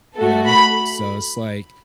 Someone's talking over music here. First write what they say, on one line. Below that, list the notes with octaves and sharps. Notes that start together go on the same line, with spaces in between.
you know? So it's like,
A3 F#4 A4
B5